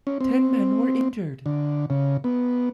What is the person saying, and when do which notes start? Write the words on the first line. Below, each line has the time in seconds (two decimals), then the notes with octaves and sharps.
Ten men were injured.
0.07 C#4
0.21 C4
1.46 D3
1.90 C#3
2.24 B3